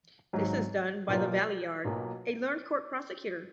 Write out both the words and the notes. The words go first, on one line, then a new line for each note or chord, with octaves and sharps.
This is done by the Valeyard, a learned Court Prosecutor.
G#1 G#2 F#3
B1 B2 F#3 A#3 F4
B1 B2 F#3 A#3 F4